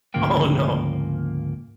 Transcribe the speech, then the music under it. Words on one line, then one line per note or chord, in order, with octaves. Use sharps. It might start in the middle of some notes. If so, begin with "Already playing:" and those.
Oh, no.
D2 G#2 C#3 F3 A#3 G5